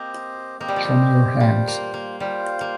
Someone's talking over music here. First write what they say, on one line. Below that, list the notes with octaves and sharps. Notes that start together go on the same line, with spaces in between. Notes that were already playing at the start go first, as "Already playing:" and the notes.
Show me your hands!
Already playing: A#3 C4 G4 C5 D#5
A#3 C4 G4 C5 D#5
G3
F3
G3
G3 F4 C5 F5
A#3
A#3
G3 F4 C5 F5
A#3